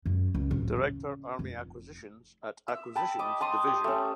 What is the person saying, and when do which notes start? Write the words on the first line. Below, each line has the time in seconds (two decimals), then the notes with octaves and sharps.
Director Army Acquisitions at Acquisitions Division.
0.06 F#2
0.35 C#2
0.51 D1
0.76 C#3
1.39 F1
2.68 E5
2.96 G5 A5 B5
3.19 D#5 D6
3.41 A5 C6 D#6
3.67 G4
3.84 A3 C#4